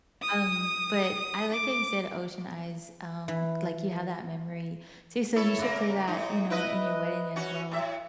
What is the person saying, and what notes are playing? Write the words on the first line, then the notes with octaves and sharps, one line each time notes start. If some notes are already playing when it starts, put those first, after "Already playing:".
Um, but I like how you said, Ocean Eyes. Um, like, you have that memory. So so you should play that, you know, in your wedding as well.
D#6
D6
E3
E4 A4 C#5
C#3 A#3
A2 D#4
E4 B4 D#5
C#4 F#4
A2 E5